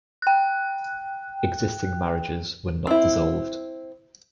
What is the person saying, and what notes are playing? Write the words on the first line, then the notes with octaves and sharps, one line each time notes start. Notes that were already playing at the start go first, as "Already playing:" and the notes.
Existing marriages were not dissolved.
G5 F#6
C4 E4